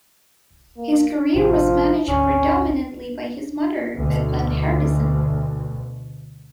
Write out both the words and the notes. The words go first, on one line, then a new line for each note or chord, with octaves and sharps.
His career was managed predominantly by his mother, Bethann Hardison.
A#3
A1 C3 F3
G#1 D2 C#4
D2 B2